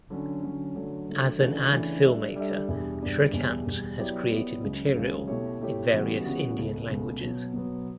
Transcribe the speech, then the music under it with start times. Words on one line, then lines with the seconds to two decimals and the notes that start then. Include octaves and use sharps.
As an ad filmmaker Srikant has created material in various Indian languages.
0.10 D3 F#3 C#4
0.42 D3 F#3 C#4
0.75 D3 F#3 A3
1.08 D3 F#3 A3
1.39 C#3 E3 A3 D4 F#4
1.71 C#3 E3 A3 D4 F#4
2.04 G3 D4 A4 E5
2.36 G3 D4 A4 E5
2.68 E2 B2 G3 D4
3.02 E2 B2 G3 D4
3.33 E2 B2 G3
3.66 E2 B2 G3
3.99 F#3 B3 E4 G4 D5
4.30 F#3 B3 E4 G4 D5
4.63 C#2 C#3 F#3
4.95 C#2 C#3 F#3
5.28 B2 A3 E4 G4 C#5
5.60 B2 A3 E4 G4 C#5
5.92 C#3 E3 G3 B3 F#4
6.24 C#3 E3 G3 B3 F#4
6.57 C#2 B2 A3
6.89 C#2 B2 A3
7.22 B2 F#3 B3
7.53 B2 F#3 B3